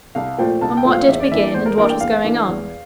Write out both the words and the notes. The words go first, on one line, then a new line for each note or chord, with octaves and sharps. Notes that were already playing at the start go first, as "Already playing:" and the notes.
And what did begin, and what was going on?
C2 F5
A#2 F3 A3 C4 G5
C2 A5
G5
A#2 F3 A3 C4
F5
E2 E5
D5
E3 A#3 D4 E5
D5
E2 C5
A#4
E3 A#3 D4 A#4
G5
E2 F5
E3 A#3 D4
E2